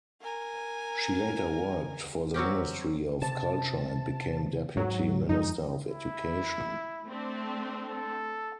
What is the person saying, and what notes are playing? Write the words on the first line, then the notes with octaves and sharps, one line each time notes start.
She later worked for the Ministry of Culture and became Deputy Minister of Education.
A#4 G#5
F#3 C4 C#4 G4
C3 A5
G#2 F#3
F#2 F3 G#3 D#4
E4
A3 C4 D4
A4